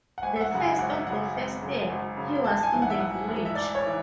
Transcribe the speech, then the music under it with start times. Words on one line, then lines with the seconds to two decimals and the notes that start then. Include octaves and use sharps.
The first of the first year, he was in the village.
0.18 F#5
0.23 G#1 G#5
0.36 E5
0.41 F#5
0.51 F#2 C#3 F#5
0.60 G#5
0.79 G#1 F#5
0.92 E5
1.06 F#2 F#5
1.09 C#3
1.34 G#1
1.62 F#2 C#3
1.90 G#1
2.17 F#2 C#3
2.44 A1 A5
2.57 A5
2.63 G#5
2.72 G#2 E3
2.82 F#5
2.90 E5
3.00 A1 F#5
3.28 G#2 E3
3.45 E5
3.55 A1 D5
3.75 C#5
3.86 E3